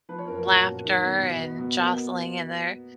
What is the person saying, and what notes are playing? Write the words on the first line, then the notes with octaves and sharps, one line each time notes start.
laughter and jostling in there.
F3 B4
C#5
F#2 A#4
A#4
A#2 F#4
A#3
D#3
B3
B2
B3
B2
A#3